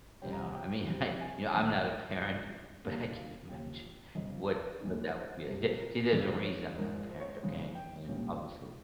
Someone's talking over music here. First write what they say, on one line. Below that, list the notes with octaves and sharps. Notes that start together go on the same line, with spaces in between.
Yeah. I mean, I, you know, I'm not a parent, but I can imagine what what that would be like. The see, there's a reason I'm not a parent, okay? And obviously
C2 C3 G3 C#4 G5
A#5
G5
F2 C3 G3 C4
G#5
A#1 G#2 D#3 C5
C#5
D#5
F5
G5
C#2 C3 F3
D#2 C#3 G3 A#3 D#4
F5
D#2 C#3 F3 G5
G1 F2 C#3 F3 D#5
C#5
A#1 A#2 G#3 D#4
C5
C2 C3 F3
A#4
F2 C#3 G#3 D#4 C#5
C#5
G#2 F3 G#3 A#4
C5
C#5
C5
F2 C#3 G#3 D#4
G5
C2 A#2 G#3 C#4